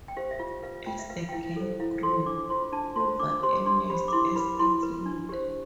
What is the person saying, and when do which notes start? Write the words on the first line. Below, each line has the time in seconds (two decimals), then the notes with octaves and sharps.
As the gang grew, Hoover emerged as its leader.
0.08 G5
0.17 G4 C5 F5
0.31 E5
0.39 F4 F5
0.63 B4 F5
0.86 F4 G5
0.99 E5
1.10 B4 F5
1.29 G5
1.33 E4 F5
1.56 A4 C5
1.80 E4 F5
2.02 A4 C6
2.07 C5
2.26 D4 D6
2.49 F4 C5 C6
2.72 D4 A5
2.96 F4 C5 C6
3.20 D4 D6
3.43 G4 C5 C6
3.66 D4 C6
3.90 G4 C5 B5
4.08 D6
4.13 E4 C6
4.36 B4 B5
4.59 E4 C6
4.83 B4
5.06 D4
5.29 G4 C5